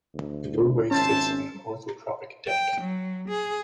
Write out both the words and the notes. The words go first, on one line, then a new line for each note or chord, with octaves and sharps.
The roadway sits on an orthotropic deck.
D2
G#1 C#4 C5 E5 A5
G5
F#3
G#4